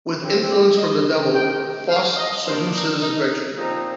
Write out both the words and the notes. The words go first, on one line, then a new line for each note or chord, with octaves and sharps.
With influence from the devil, Faust seduces Gretchen.
A2 F3 C4
D5
D#5
C3 D#3 A3 G5
G5
F5
D#5
G2 D#3 A#3 D4 C5
D#4
D#4
A#2 F3 C4 D#4